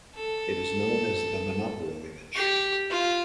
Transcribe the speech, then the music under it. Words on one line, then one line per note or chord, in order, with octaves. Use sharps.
It is known as the Manoppello Image.
A4
G4
F4